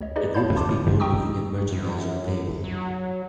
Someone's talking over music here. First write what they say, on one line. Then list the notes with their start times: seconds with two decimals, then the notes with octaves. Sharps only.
A group of people looking at merchandise on a table.
0.01 D2 C#5 D#5
0.16 D#4 G4 G#4 B4 D5 D#5
0.34 C#5 F5 A5 B5 G6
0.56 A5 C6 D6 G6
0.84 A#1 F2 A#2
1.00 D#5 G5 A#5 C#6 D#6 E6
1.69 F#2
2.64 F#3